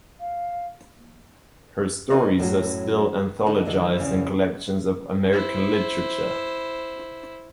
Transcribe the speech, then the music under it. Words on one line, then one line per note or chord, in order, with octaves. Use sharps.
Her stories are still anthologized in collections of American literature.
F5
C4 D#4 A#4 B4
F#2 A2 D3 F#3
D3 G#3 D#4 A4
D3 E3 G#3
E2 C#3 E3 C4
E4 C5